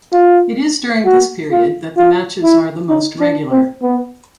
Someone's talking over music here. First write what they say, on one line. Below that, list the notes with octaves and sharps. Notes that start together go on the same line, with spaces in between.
It is during this period that the matches are the most regular.
F4
F#4
F4
F4
E4
D#4
D4
C4
B3